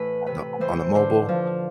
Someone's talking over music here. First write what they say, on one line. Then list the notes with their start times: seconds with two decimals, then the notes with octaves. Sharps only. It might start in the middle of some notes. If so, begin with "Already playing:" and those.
on the on the mobile.
Already playing: A2 E3 B4
0.26 C3 B4
0.61 E3 C5
0.95 D3 C5
1.29 F3